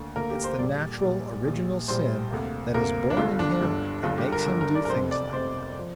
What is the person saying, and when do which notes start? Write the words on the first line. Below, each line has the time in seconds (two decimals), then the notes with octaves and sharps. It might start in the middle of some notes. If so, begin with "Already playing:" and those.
It's the natural, original sin that is born in him that makes him do things like that.
Already playing: D2 D3 A#3
0.16 D2 D3 A#3 A#4
0.30 G4
0.44 C5
0.59 A#1 A#2 G3 D5
1.02 A#1 A#2 G3
1.45 A#1 A#2 G3
1.88 A#1 A#2 G3 C5
2.31 D2 C3 A#3
2.74 D2 C3 A#3 A#4
3.10 D4
3.17 G1 G2 D3 F4
3.39 D4
3.60 G1 G2 D3
4.03 G1 G2 D3 F4
4.18 G4
4.32 A#4
4.46 G1 G2 D3
4.61 A#4
4.75 D5
4.85 A#4
4.90 F1 F2 C3 C5
5.11 D5
5.33 F1 F2 C3 C5
5.79 F3